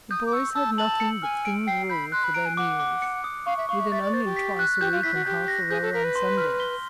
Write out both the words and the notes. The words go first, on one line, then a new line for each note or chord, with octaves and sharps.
The boys had nothing but thin gruel for their meals, with an onion twice a week and half a roll on Sundays.
D#6 G6
D6
C#6 E6
A5 E6
A5 F#7
C#7
G#5 F6
D7
G5 C7
B5 G6
C6 F#6
B5
A#5 D7
G#5
F#5 D6
D6
C#7
D#6
F5 C#6
E5
F5 C#6
E5
E5 A6
D5
C5 A6
G4
B6
F#6
G4 G6
F4
E4 B6
F#4
G4 G6
A#6
G#4 G6
A4
A#4 B6
B4
C6
F6
G7